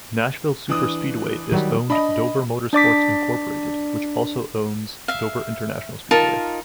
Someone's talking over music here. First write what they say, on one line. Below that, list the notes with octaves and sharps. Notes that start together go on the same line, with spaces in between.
Nashville Superspeedway is owned Dover Motorsports Incorporated, which also owns Dover International Speedway.
E3 D4 D#6
D#3 F#3 G3
D4 D#5 B5
D4 D5 D6 B6
E5 F5
D#4 F4 A#4 A5